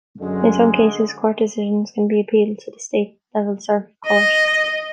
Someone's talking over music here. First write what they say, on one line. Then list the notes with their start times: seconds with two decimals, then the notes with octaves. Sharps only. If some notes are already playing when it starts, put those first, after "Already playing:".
In some cases, court decisions can be appealed to the state level circuit court.
0.21 F#2 D3 G#3
4.06 D#5